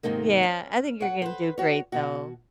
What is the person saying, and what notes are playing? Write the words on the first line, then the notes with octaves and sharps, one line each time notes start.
Yeah, I think you're gonna do great though.
G#2 C3 D#3 G#3 A#3
C#4
C#5 F#5
B4 C5
F#4 C#5
B2 F#4